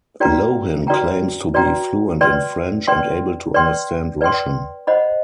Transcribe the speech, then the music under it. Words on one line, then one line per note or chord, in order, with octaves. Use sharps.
Lohan claims to be fluent in French and able to understand Russian.
F#4 B4 D5 G5 A#5
F#4 B4 D5 G5 A#5
F#4 B4 D5 G5 A#5
B4 D5 G5 C6
B4 D5 G5 C6
B4 D5 G5 C6
B4 D5 G5 C6
C5 D#5 F#5 B5